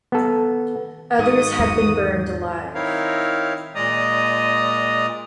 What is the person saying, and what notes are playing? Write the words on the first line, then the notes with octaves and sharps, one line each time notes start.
Others had been burned alive.
B3 A4
G#2 F#4 D#6
E2 G#3
C4 D#4 E4 A#4 C#5 F5
A#2 G#3 D5 D#5 A#5 D#6